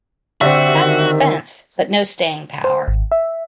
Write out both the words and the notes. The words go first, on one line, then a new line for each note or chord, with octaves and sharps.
It's got suspense but no staying power.
D3 C4 F#4 G4 E5
D#3
C5
G#1
E5